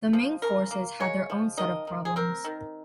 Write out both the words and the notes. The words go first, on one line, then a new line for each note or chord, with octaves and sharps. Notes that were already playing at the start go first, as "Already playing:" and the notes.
The Ming forces had their own set of problems.
F3
C#3 A#4
A#3
G#3 C#5
F3
D#3 D#5
D#3
G#4
C4 A#4
D#3